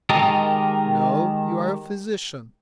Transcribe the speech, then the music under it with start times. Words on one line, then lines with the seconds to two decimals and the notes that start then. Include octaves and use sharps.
No, you are a physician!
0.09 D#3 G#3 G4 A#4 D#5 A5